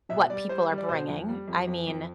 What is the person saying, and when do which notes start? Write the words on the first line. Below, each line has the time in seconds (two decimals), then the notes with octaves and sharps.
what people are bringing. I mean,
0.10 B2 E5
0.30 G3 D5
0.49 G3 C5
0.69 G3
0.78 D5
0.89 B2 C5
1.08 F2
1.28 G3
1.48 F2
1.67 F2
1.87 F2